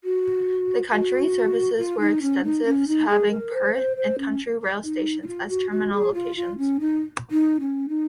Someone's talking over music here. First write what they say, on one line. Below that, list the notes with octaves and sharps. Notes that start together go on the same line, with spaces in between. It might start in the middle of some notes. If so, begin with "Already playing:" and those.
The country services were extensive having Perth and country rail stations as terminal locations.
F#4
F#4
F4
D#4
C#4
D#4
C#4
D#4
G#4
A#4
C5
C5
C5
C#4
D#4
D#4
F4
F#4
F#4
G#4
F4
F4
C#4
D#4
D#4
C#4
D#4